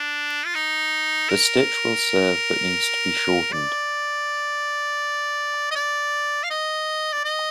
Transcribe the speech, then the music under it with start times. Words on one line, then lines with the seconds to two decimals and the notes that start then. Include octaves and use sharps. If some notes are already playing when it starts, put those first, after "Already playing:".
The stitch will serve but needs to be shortened.
Already playing: D4
0.45 F4
0.55 D#4
1.29 A#4
3.52 D5
5.71 D#5
5.75 D5
6.44 F5
6.50 D#5
7.13 D5
7.25 D#5